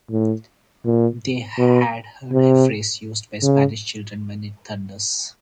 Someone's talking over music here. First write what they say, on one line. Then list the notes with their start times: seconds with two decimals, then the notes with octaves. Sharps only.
They had heard a phrase used by Spanish children when it thunders.
0.11 A2
0.85 A#2
1.58 B2
2.32 C3
3.42 C#3